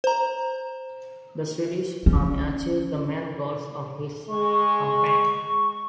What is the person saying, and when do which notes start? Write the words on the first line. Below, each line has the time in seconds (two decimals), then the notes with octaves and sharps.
The Swedish army achieved the main goals of its campaign.
0.04 C5 A#5
2.06 C#4
4.29 G#3 C#6